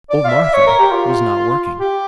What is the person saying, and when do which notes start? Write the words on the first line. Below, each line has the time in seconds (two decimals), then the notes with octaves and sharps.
Old Martha was not working.
0.10 D5
0.25 F5
0.28 E5
0.41 E5
0.53 C#5
0.67 A#4
0.79 G4
0.91 F4
1.80 G4